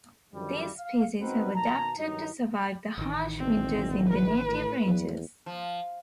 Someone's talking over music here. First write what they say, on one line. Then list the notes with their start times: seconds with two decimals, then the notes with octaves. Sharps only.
These species have adapted to survive the harsh winters in their native ranges.
0.33 F#2 D3 D#3 F3 G3
0.78 F5
1.20 B3 C4 D#4 F#4 A#4 B4
1.53 B2 D#3 A5 A#5
1.98 G2 D#3 F#3 D#4
2.98 A1 D#3
3.39 E1 C4
4.09 B4
4.47 A2
4.85 E2
5.46 F3